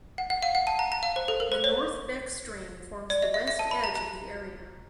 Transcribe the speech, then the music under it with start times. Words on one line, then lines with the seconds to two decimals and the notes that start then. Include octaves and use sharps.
The North Beck stream forms the west edge of the area.
0.18 F#5
0.30 F#5
0.42 F5
0.55 F#5
0.67 A5
0.79 A#5
0.92 A#5
1.03 F5
1.16 C5
1.28 A4
1.40 A#4
1.52 C5
1.64 C#5
3.10 D5
3.22 D#5
3.34 E5
3.47 E5
3.59 A5
3.71 B5
3.84 A#5
3.95 A#5